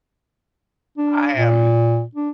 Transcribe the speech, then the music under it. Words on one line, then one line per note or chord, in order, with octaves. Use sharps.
I am
D4
A#2
D4